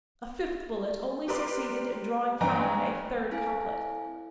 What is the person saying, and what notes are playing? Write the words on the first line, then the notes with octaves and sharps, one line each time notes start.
A fifth bullet only succeeded in drawing from him a third couplet.
G4 A#4 B4 D5 C6
G2 E3 B4 D#5 G5 A#5
C4 E4 A4 F5 G#5